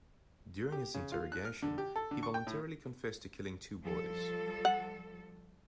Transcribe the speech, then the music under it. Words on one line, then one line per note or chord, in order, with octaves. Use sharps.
During his interrogation, he voluntarily confessed to killing two boys.
G4
C#3
F4
F#6
F6
D3
G4
A4
D3
C#6
G5
A2
F3 G3 A4
F#5